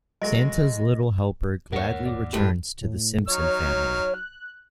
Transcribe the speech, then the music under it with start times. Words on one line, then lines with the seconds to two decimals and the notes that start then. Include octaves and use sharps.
Santa's Little Helper gladly returns to the Simpson family.
0.22 F#3 G#3 A3 D#5 A#6
1.72 D#2 G#2 A#4 C#5 F#5
2.05 D5 D6
2.33 A2 G3 G#3 D4 G4
2.81 A2
3.28 F#3 D#4 C#5 F6
4.14 F#6